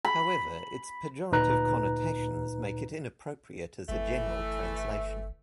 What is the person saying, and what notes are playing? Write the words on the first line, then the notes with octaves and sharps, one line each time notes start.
However, its pejorative connotations make it inappropriate as a general translation.
B5
D2 A#2 D#4 B4 A#5 F#6
G1 E3 A3